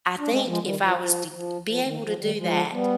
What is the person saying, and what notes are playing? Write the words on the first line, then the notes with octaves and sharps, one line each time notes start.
I think if I was to be able to do that
D4
G#3 C4
F3 G#3
D#3 G3
F3
F3
F3
F3
D#3
F3
D#3 G3
F3 G#3
G3 B3